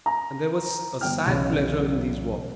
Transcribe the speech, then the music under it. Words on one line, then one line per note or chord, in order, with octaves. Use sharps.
And there was a sad pleasure in these walks.
A#5
G1 G5 F6
B1 E2 C#3